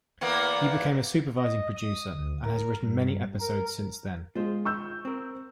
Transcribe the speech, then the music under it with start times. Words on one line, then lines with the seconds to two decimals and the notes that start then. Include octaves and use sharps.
He became a supervising producer, and has written many episodes since then.
0.21 E2 A#3 B3
1.37 D#5
1.76 D#6
2.15 D2
2.45 A#4
2.83 G2
3.40 A#4
4.35 G#3 F4 G#4 C5
4.65 C#6 E6 G6
5.05 C4 A#4